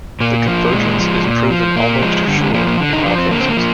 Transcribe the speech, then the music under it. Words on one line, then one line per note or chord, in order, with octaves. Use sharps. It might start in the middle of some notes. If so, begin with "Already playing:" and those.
The convergence is proven almost sure in all cases.
A#2 A#3
F3
A#2 G#3
F3
A#2
F3
A#2 A#3
F3 G#3
D3 G3
G#3
F3 A#3
A#3
D3
D#4
F3 D4
C4
D3 A#3
C4
A#3
F3